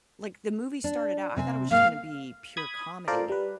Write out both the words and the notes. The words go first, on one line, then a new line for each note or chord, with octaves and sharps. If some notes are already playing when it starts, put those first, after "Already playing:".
like, the movie started out I thought it was just gonna be pure comedy
D4
C3 C4 G#5
G#2 A#3 F5
B5 D#6 G#6
F4 A4 A#4 C5 D5
G3 B4